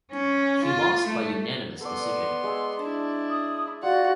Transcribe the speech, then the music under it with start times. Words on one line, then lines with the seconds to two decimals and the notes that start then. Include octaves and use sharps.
He lost by unanimous decision.
0.11 C#4
0.65 F4
1.07 A3
1.81 B3 A4 D5 C6
2.43 G#3 G#5 E6
2.80 D4 E4
3.29 D#6
3.83 F4 F#4 D5 F#5